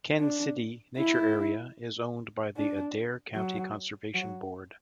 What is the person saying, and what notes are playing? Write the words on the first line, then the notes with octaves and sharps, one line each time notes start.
Ken Sidey Nature Area is owned by the Adair County Conservation Board.
D4
E4
D4
F#3
F#3